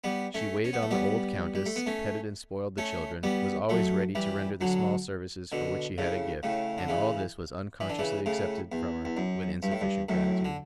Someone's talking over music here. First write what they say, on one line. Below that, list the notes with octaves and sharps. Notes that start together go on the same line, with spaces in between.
She waited on the old countess, petted and spoiled the children, was always ready to render the small services for which she had a gift, and all this was unconsciously accepted from her with insufficient gratitude.
G3 B3
A3 C#4
C#4
B3
A3
G3 B3
G3
A3
B3
A3 C#4
A3 C#4
G3 B3
F#3 A3
E3 G3
D3 F#3
B2 D3
A2 C#3
A2 C#3
D3
C#3 E3
E3
D3
C#3 E3
A2 C#3
E2
E2
F#2
G2
A2
G2
F#2 A2
D3